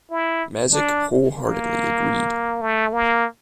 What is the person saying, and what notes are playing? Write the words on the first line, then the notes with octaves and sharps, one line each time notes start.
Mazich wholeheartedly agreed.
E4
D4
A#3
A3
A#3